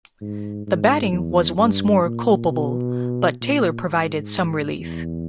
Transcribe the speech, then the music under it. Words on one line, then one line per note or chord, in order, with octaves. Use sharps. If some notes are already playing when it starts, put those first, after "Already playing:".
The batting was once more culpable, but Taylor provided some relief.
G#2
G#2
E2
G2
A#2
B2
A#2
G#2
E2